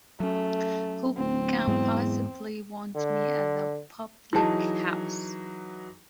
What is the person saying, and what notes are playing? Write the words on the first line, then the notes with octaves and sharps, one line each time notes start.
Who can possibly want me at the public-house?
F#3 A3 C#4
D1 C4
E2 G#2 F#3 G#3
D3
E3 F#3 D#4 E4 G#4 A5